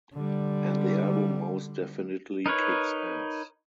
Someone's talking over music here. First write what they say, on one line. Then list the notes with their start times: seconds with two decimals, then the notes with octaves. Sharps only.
And the album most definitely kicks ass.
0.14 D3 G3
2.46 D#4 A#4 B4 C#5